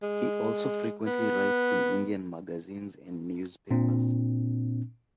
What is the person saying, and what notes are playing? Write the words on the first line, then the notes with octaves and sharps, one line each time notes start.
He also frequently writes in Indian Magazines and News Papers.
G#3
B3
A#2 C4 D4